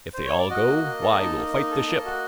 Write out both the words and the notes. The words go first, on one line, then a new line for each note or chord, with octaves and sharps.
If they all go, why we'll fight the ship.
C5
C#5
D5
F#4 D#5
A#3
A#3
A4
D#4
A#3
D#4
A4
A#3
F#4